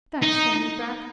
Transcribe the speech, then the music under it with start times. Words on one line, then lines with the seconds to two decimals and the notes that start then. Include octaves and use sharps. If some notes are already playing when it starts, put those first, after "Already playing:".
Don't send me back!
0.23 D#4